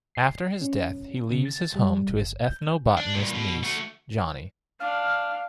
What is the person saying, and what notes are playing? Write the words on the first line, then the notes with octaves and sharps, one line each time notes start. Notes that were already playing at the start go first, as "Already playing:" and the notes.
After his death, he leaves his home to his ethnobotanist niece, Jonni.
C7
C#4
C#3
A6
G3
G1
G6
D4
G2 A#2
B2
A3 F#4
D4 F5 F6